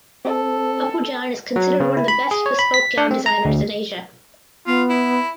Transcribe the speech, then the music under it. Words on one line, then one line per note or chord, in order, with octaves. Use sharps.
Apu Jan is considered one of the best bespoke gown designers in Asia.
C4 A4
F#3
C#3
E4
B5
G#4
C#5
B5
B6
D4
C4
A#5
D2
B3 F4
E4